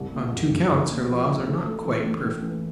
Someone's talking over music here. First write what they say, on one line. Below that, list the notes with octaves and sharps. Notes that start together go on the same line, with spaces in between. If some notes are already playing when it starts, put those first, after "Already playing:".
On two counts, her laws are not quite perfect.
Already playing: C2
A#2
C2
C2
C2
A#2
F3
A#2
A2
A3
E3
A2
A2
E3